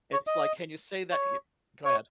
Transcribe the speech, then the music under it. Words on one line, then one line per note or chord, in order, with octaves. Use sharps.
It's, like, "Can you say that y" go ahead.
C#5
D#5
C#5
C#5